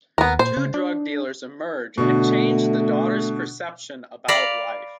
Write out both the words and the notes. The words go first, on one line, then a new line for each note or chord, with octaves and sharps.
Two drug dealers emerge and change the daughter’s perception about life.
D#2 B3 A#4
A#2 C5
C#3
D4
B2 D3 A3
D5 F5 A#5 B5